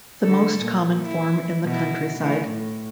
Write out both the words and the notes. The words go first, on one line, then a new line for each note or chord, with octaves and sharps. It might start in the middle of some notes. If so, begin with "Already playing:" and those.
The most common form in the countryside.
D3 A4
A#2
E4
B2 E4
E3 A3
A2